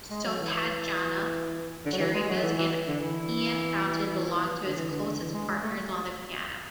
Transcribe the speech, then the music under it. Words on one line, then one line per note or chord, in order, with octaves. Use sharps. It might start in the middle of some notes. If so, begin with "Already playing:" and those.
So Tatjana Geringas and Ian Fountain belong to his closest partners on the piano.
G#3
F#3
E3
E3
D3
F#3
E3
G#3
F#3
E3
E3
D3
E3
D3
E3
D3
D3
E3
G#3
G#3
A3